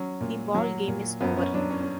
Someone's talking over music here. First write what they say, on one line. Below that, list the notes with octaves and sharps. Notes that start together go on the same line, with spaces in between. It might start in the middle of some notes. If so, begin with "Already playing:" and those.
The ball game is over!
Already playing: F#3 C#4
A#2
F#3
A#2
F#2 B3
C#4
F#3 D4
C#4
C#4